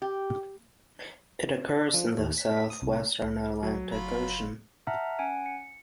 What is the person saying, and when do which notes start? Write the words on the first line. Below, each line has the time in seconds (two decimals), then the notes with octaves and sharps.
It occurs in the southwestern Atlantic Ocean.
0.02 G4
1.94 F3
2.18 D#2
2.38 B6
2.70 D#6
2.82 C2
3.23 C2
3.63 F#3
3.92 F#1 F4 B5
4.87 E5 F#5 A5 A#5 F6
5.19 C#4 F#5 G#5 D7
5.46 C#7